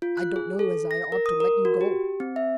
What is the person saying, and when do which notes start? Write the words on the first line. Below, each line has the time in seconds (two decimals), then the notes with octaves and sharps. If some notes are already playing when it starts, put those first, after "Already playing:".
"I don't know as I ought to let you go."
0.02 F4
0.17 F#6
0.36 G#4
0.59 A4
0.91 A#6
1.12 A#4
1.26 D#6
1.40 A#4
1.65 F#4
1.81 G4
2.20 C4
2.36 E5